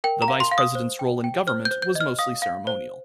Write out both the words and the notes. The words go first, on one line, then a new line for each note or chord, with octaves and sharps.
The Vice-President's role in government was mostly ceremonial.
A#4 G5
A#5
F5
C6
F5
D#6
C5
G5
G5
C5 F6
G6
C5
G6
D#5
F6
F5 D#6
F5
C5